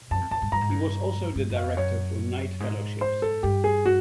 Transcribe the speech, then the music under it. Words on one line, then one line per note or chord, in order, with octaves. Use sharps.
He was also the director for Knight Fellowships.
F#2 A5
F2
F#2 A5
G2
G2 A#5
G#2
G2
G2
F#2
F5
F2
F#2 C#5
G#2
C5
A4
G2 G4
G#4
F#4